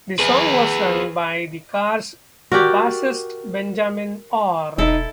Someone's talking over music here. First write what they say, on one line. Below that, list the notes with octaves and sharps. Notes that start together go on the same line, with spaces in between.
The song was sung by the Cars' bassist Benjamin Orr.
G#4 B4
F#4 G4 A#4 D5 F#5
E1 D#4 E4 A4